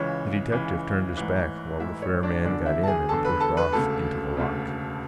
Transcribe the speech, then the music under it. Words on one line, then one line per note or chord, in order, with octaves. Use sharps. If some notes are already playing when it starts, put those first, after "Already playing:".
The detective turned his back while the fair man got in and pushed off into the loch.
Already playing: C#2 C#3 E3 C#5
C#2 C#3 E3
A1 G#2 E3
A1 G#2 E3 E4 E5
C#5
D4 D5
E1 E2 D3 D4 D5
E4 E5
A5
G#4 G#5
E1 E2 D3 A4 A5
B4 B5
A4 A5
B4 B5
E1 D2 C#3 A4 A5
E1 D2 C#3